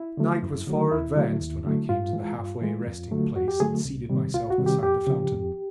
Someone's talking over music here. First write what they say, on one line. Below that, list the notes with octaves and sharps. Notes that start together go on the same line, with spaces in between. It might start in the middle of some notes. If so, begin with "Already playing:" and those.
Night was far advanced when I came to the halfway resting-place and seated myself beside the fountain.
Already playing: E4
D3 F#3 A3
F#2
D3 F#3 A3
D#2 E4
D3 F#3 A3
D#2
D3 F#3 A3
G2 F4
E3 G#3
G2
E3 G#3
F2
D3 F#3 A3
F2 F#4
G4
D3 F#3 A3 G#4
C2
C3 D#3 G3
C2 F4
F#4
C3 D#3 G3
G4
F2 G4
C#3 F3
F2